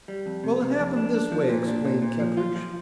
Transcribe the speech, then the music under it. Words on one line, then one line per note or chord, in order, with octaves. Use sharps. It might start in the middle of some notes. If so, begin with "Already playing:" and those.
"Well, it happened this way," explained Kettridge.
G3
F2
C3
C3
F2
D4
D4
F3
A#2
D4
A#2
A#2
F3
F4
F3